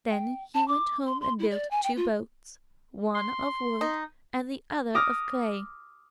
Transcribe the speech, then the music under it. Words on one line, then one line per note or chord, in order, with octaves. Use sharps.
Then he went home and built two boats, one of wood and the other of clay.
G5
A5
D6
C6
C6
E4
D5
G#5
G5
F4
C6
D#4
D6 D#6 F6 A#6